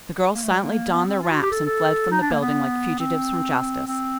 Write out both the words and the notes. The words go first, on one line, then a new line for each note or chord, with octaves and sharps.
The girls silently donned their wraps and fled from the building like fugitives from justice.
A#3
A3
G3
A#3
B3
C4
F4
F#4
G4
A4
A4
D#4
D4
A#3
B3
C4
C4